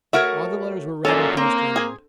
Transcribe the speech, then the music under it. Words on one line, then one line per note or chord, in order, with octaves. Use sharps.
All the letters were read and passed around.
A3 F#4 A#4 C#5 E5
F#2 A#2 C#4 A4 D#5 G#5
A#3 C4
G#4 G#5